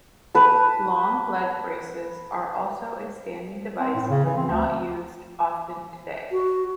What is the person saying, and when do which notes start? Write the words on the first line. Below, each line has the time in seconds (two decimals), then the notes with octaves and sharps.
Long leg braces are also a standing device but not used often today.
0.35 B4 A5
3.80 C4
3.95 A2
4.10 C#3
4.24 E3
4.37 C4
4.50 D2
6.32 F#4